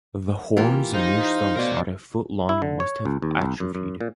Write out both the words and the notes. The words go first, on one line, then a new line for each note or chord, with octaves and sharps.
The horns, mere stumps not a foot long, must have atrophied.
E3 A#3 F4 G4
D#4 C5 F5
B2 A#4 D5
E4
D3
C#5
C#2
D#2
C2
F#2
F#2
A#2